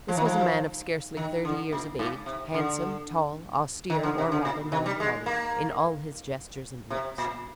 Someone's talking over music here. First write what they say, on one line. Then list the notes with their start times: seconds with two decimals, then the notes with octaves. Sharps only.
This was a man of scarcely thirty years of age, handsome, tall, austere, or rather melancholy, in all his gestures and looks.
0.08 F3
0.17 D#3
0.25 F3
1.17 D#3
1.45 D3
1.73 A#2
1.99 G#2
2.26 C3
2.54 D3
3.90 D#3
4.03 D3
4.18 C3
4.32 D3
4.45 A#2
4.72 D#3
4.86 G3
5.00 G#3
5.26 A#3
6.90 C3
7.18 A#2